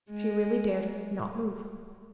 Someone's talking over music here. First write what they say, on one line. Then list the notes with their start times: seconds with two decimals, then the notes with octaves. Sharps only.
She really dared not move.
0.11 G#3